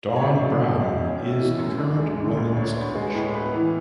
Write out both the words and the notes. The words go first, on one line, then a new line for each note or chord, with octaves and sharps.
Dawn Brown is the current women's coach.
C#5
C#2 D5
F#3
B2
C#2
C#4
A3
E3
F#2
D2
G#3
D3
D2
D4 C#5
B3
G#3
A2
B3
E3